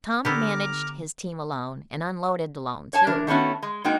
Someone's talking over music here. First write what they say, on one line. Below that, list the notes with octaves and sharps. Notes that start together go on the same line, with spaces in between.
Tom managed his team alone, and unloaded alone, too.
D3 B3 G4 A#5 D6 F6
C#5 G#5 A5
E3 D4 A#4
D#3 A3 B3 C#4 F#4
G#3
G#3 A#3 D#4 F#4 G5